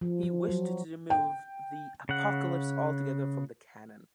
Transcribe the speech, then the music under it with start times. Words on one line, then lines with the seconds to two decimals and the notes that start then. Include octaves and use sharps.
He wished to remove the Apocalypse altogether from the canon.
0.01 F3
0.23 F3
0.49 F#3
1.10 G5
2.09 C#3 F#5